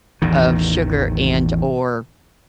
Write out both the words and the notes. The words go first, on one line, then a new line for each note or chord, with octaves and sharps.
of sugar and/or,
A1 E2 D#3